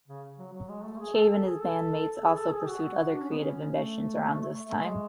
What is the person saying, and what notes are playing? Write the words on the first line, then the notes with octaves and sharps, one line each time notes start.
Cave and his bandmates also pursued other creative ambitions around this time.
C#3
F#3
F#3
G#3
A3
G#4
A4
A4
G#4
A4
G#4
A4
G#4
F#4
D4
C#4
B3
C#4
A3
A3
G#3